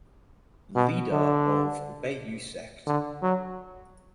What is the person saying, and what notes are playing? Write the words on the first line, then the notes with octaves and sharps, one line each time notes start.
Leader of Bai Yue Sect.
B2
D3
D3
F#3